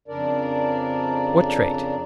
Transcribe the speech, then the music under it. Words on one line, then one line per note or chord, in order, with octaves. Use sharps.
What trait?
F2 C#3 D4 A#4 D5